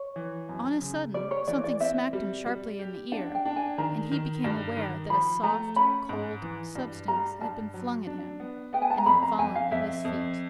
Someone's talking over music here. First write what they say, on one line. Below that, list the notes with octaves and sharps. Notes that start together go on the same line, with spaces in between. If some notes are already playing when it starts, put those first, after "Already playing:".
On a sudden something smacked him sharply in the ear, and he became aware that a soft cold substance had been flung at him, and had fallen at his feet.
Already playing: C#5
E3
F#2
C#3
G3 D5
C#5
E3 D5
D5
C4 E5
G3
G3
G4
D4 F#5
G5
D4
G#5
D#3 A#5
D#3
G2
D#3
F3 B5
A3 A#5
C#4 B5
G#2
E3
G2
G3 A#5
G2 A5
F#3
D4
B3
B3 G5
G#5
A5
A#5
F2 B5
A#5
F2 G#5
F5
F2 E5
F2